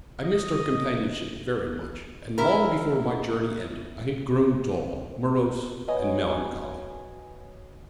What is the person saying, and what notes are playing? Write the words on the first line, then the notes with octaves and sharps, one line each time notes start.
I missed her companionship very much, and long before my journey ended, I had grown dull, morose, and melancholy.
D#5
E4 A#4
F#4 B4 C#5 D#5 G#5